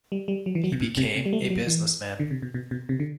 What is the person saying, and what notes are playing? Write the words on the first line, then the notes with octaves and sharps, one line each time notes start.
He became a businessman.
G3
G3
F#3
E3
F#3
B2
A2
C3
C3
G3
A3
G3
F#3
E3
D3
C3
B2
B2
B2
C3
D3